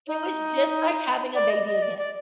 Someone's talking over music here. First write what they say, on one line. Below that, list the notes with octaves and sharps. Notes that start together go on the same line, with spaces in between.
It was, just, like having a baby again.
D#4
D5
D#5
D#5
D5
D5